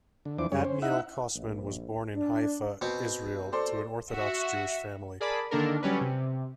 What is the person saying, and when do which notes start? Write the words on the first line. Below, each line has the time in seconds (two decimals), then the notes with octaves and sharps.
Admiel Kosman was born in Haifa, Israel to an Orthodox Jewish family.
0.25 D3
0.38 E2 E3 F3 D4 C5 D6
0.52 F#2 G3 C#4 G#4 C#5
0.64 C#4 C5
0.82 D#4 E4 E5 F#5
1.35 A#1
2.15 D4
2.81 B2 C4
3.52 A4 C5 D5
4.12 F#4 E5
5.20 G#4 A#4 D5 A5 B5
5.51 D3 D#3 A#3 D4 A4 A#4
5.82 F#3 G3 C#4 B4
6.01 C3